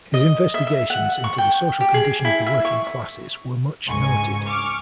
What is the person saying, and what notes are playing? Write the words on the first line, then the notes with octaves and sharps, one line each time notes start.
His investigations into the social condition of the working classes were much noted.
D#5
E5
E5
F#5
C#6
G5
G4
G#4
E4
E5
C#6
C#2 G#2 G#5 C#6
C#6 D6 F6